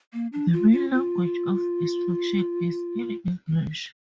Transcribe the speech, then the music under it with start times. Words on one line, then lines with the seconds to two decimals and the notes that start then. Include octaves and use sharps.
The main language of instruction is in English.
0.13 A#3
0.33 D4
0.53 F4
0.72 F4
0.93 F4